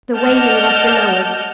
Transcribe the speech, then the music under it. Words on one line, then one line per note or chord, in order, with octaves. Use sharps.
The wailing was below us.
D5 D#5 F#5 A5 F6 G6